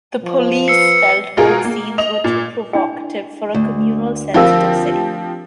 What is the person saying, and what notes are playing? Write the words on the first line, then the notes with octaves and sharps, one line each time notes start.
The police felt both scenes were too "provocative" for a "communally sensitive" city.
F3
B4 E6 C7 C#7
B2 G#3 F4 G#4 A#4
A#3
D#5 F7
A#2
D4 E4 G5
D2
F3 C4 G4 A#4 F5 B5